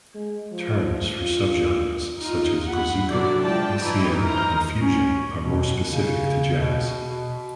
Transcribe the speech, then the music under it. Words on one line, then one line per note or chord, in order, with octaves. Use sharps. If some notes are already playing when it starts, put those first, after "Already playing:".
Terms for subgenres such as "brazuca", "ecm", and "fusion" are more specific to jazz.
G#3
F3
F4
D#4 F4
F#5 B5
D3 F#3 D4 E4 F#4 D5
F3 G#3 D5 G5 A5
E3 D#4 E4
A#4 C5 D#5 A#5
C#4
B2
C#3
B2
B2